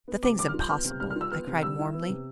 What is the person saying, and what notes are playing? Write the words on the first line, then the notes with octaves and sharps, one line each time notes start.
"The thing's impossible!" I cried warmly.
B3
C3 D6
G3 D6
F6
F4
G6
B3 F6
C3
G3 F6
F6
F4
E6
B3 F6
C3
G3 E6
E4
B3
C3